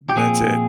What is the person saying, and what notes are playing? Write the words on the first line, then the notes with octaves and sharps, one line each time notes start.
That's it.
G4
A#2 F3 C4 G#4